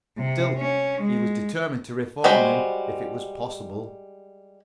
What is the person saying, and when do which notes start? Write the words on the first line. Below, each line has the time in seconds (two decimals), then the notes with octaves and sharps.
Still, he was determined to reform him if it was possible.
0.18 C3
0.57 C#4
1.00 G#3
2.24 G3 G#3 F#4 C5 B5